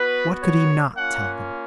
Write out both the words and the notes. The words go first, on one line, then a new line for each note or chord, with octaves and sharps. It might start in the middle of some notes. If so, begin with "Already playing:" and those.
What could he not tell them?
Already playing: B3 F#4 B4
C#5
A#3 C#4 F4 F#5